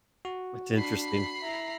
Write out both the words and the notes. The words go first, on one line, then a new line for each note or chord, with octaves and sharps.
It's interesting.
F#4
D4 B5 C7
E4 A#5